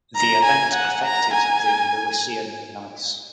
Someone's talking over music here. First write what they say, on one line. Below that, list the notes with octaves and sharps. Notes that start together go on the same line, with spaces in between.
The event affected the Lewisian gneiss.
A#5
G#5
F#5
A#5
G#5